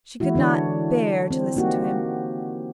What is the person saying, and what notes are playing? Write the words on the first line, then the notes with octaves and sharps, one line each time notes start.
She could not bear to listen to him.
E3 G#3 E4 F#4
D3 E3 D4 C#5
C4
A#3 D#4 F#4 G4